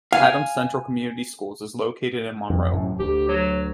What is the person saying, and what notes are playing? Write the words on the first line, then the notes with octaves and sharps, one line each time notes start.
Adams Central Community Schools is located in Monroe.
F5 G#5
F2
F#2 A2 C3
D2 G4
F#3